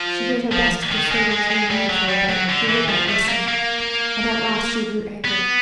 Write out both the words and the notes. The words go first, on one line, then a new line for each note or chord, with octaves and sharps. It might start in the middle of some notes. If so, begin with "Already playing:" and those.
She did her best to persuade him to remain with her, but he would not listen, and at last she grew angry.
Already playing: F3
F3
D#3
G#3
G#3
G#3
G3
F#3
G3
F#3
D3
E3
F3
A3
A#3
A#3
B3